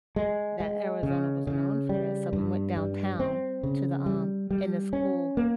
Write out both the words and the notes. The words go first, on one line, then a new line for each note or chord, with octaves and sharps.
that Arizona was known for this, so we went downtown to the, um in the school
G#3
G#3
C#3
C#3
G3
G2
G3
C4
C#3
G3
G3
C#4
A#3